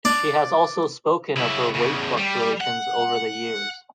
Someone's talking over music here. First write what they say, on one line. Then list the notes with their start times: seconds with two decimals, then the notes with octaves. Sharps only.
She has also spoken of her weight fluctuations over the years.
0.05 D4
1.36 C#3 E4
1.74 E2 C#3
2.18 G3
2.61 F#5